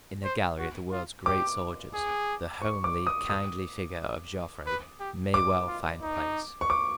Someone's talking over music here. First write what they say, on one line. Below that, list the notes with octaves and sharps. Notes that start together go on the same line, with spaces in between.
In the gallery of the world's great soldiers, the homely, kindly figure of Joffre may well find place.
C5
F#4
F4
G4 D6
G#4
C#6
D6
D#6
D#6
B4
G4
D6
F4
D#4
C#6
D6